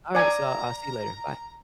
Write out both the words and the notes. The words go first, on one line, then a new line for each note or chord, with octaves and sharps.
all right, so I'll see you later, bye.
D5 G#5 A#5